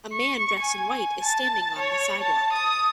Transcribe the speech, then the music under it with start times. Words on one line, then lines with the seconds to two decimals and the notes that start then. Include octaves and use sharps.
A man dressed in white is standing on the sidewalk.
0.13 C#6
0.59 G#5
1.22 A5
1.79 C#5
2.22 A5
2.53 D#6